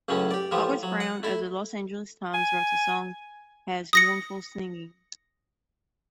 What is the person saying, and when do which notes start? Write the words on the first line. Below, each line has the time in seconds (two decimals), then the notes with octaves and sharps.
August Brown of the "Los Angeles Times" wrote the song has "mournful singing".
0.08 C#2 F#2 A2 F#3 C#4
0.31 G4 D5
0.51 A2 E3 F3 G4
0.83 F#3
1.00 F#5
1.23 A3 E4
2.35 G#5
3.93 D#6 A#6 C#7